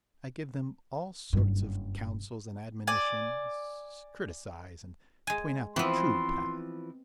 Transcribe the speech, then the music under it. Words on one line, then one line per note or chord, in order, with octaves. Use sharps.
I give them all sorts of counsels and admonitions, criticise and point out the true path.
F#1 G2
D5 G#5
G#3 G#5
E3 F3 B3 C4 C6